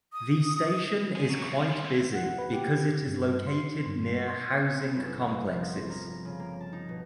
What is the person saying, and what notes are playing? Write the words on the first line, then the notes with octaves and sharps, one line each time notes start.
The station is quite busy because it is located near housing complexes.
D#6
G#4 D#5
F#3
E2
C3 G3
G3 C5
E4 C5
F#5
B4
G4
G2
C6
G2
C6
B3
G1
E6
C3
F3
A#4
C#3
A#3
A5
D#4
B2